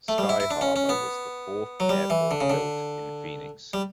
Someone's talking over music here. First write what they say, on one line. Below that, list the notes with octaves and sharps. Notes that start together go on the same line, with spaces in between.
Sky Harbor was the fourth airport built in Phoenix.
A3
G3
E4
E4
D4
C#4
C#4
B3
F#3
G3
E3
D3
C#3
D3
G3